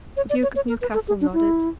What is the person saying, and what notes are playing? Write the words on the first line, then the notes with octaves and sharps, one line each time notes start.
The Duke of Newcastle nodded.
C#5
D5
C#5
C#5
A#4
B4
A4
G#4
D4
E4